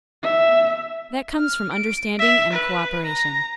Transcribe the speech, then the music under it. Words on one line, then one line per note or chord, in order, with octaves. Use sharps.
That comes from understanding and cooperation.
E5
F6
D7
E5
B4
A#5